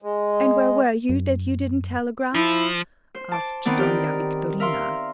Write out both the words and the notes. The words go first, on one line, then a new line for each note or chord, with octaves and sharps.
"And where were you that you didn't telegraph?" asked Dona Victorina.
G#3
F#2
F3 E4
C5
A5 D6
D#3 B3 C4 D5
G4 A#4
A#4 E5 F5 C6